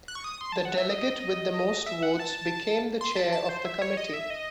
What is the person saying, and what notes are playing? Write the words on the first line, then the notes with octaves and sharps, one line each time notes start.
The delegate with the most votes became the chair of the committee.
F#6
C#6
D#6
C6
A5
F#5
E5
D#5
E5
F#5
A5
C6
A5
A5
C5
E5
C#5
D#5
E5
D#5